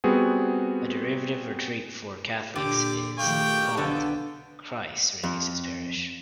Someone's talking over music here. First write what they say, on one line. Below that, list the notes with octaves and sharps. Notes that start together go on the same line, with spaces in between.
A derivative retreat for Catholics is called "Christ Renews His Parish".
G3 B3 C4 F#4 G#4
A#2 D3 G4 D6
D#3 F3 A3 G4 F5 G5 C#6
B1 D3 B3 A4
F2